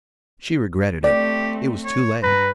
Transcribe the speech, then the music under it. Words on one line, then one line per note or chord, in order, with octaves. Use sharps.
She regretted it. It was too late.
A3 C4 G4 D5
C#5
G2 B4 A#5